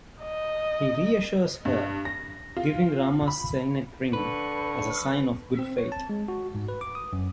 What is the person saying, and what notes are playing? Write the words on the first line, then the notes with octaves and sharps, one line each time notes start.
He reassures her, giving Rama's signet ring as a sign of good faith.
D#5
G2
A#6
F4
B5
D3 B4 C#6
C4
C#5
A5
G#3
F#4
G#2
B4
D6
D#6
F#2